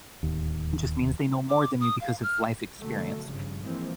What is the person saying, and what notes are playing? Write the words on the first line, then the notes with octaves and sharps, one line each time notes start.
just means they know more than you because of life experience,
D1 D#2
D6
D#6
F5
F6
B2 D3 F#3 A3
G#1 G2 C#3 F3
E3 F3 G#3 A#3 C4